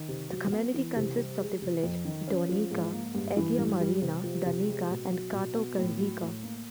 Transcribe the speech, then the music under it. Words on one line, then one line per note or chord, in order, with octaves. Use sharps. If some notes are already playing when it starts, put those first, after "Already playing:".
The community consists of the villages Douneika, Agia Marina, Danika and Kato Kertezeika.
Already playing: D#3
C3
F#3
B3
E3
C3
G3
G#3
C3
F2
D#3
C#4
F3
G#2
A#3
G2
E3
G2
G3
C3
F3
C3
G#3
B2
F#3
B2
B3
A2
F#3
A2
A#3